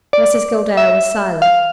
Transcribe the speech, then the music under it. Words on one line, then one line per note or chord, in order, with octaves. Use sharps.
Mrs Gildea was silent.
D5
E5
F5